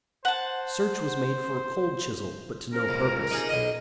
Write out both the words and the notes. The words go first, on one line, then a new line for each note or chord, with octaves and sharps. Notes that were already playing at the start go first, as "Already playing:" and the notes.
Search was made for a cold-chisel, but to no purpose.
C5 F#5 A5
F3 C#4 A#4
C#2
D#4 G#4 A#5
B1 D#5